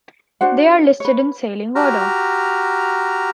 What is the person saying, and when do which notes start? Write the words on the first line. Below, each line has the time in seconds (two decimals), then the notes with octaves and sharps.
They are listed in sailing order.
0.41 D4 F#4 C5 F#5
1.00 B4 C#5
1.75 F#4 G4 A#5 F6